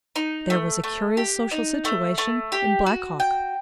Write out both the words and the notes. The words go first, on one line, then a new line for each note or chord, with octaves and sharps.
THERE was a curious social situation in Black Hawk.
D#4
A3
A3
G4
D#4
A3
A3
G4
F#4
G5